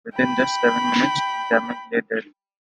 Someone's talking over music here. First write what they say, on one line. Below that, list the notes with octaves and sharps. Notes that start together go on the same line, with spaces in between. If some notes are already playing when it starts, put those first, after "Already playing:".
Within just seven minutes, Gammage lay dead.
G5 B5